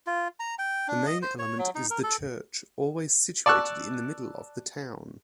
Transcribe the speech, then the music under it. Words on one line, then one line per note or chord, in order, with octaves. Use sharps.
The main element is the church, always situated in the middle of the town.
F4
A#5
G5
D4
D#5
C5
C#5
F#3
D#4
A#4
A4
D5 A5 C#6 E6 F#6